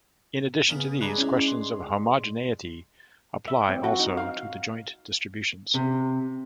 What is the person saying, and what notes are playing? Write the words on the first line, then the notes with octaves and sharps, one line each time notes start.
In addition to these, questions of homogeneity apply also to the joint distributions.
C#3 B3 A#4
G#3 D4 A#5 B5 F#6
C#4 E4
C6
E5
C4
F#4
D#4
F5
C3